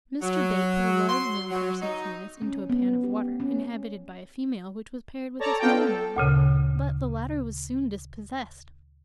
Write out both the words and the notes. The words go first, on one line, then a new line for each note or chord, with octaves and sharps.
Mr. Bate put a large male Carcinus maenas into a pan of water, inhabited by a female which was paired with a smaller male; but the latter was soon dispossessed.
F#3
C6
F#3
D#4
C#4
B3
G4
C#4
A4 C#5 D5 A5 A#5
B3 F4 A4 D5 G5
A4
D2 A#2 C#3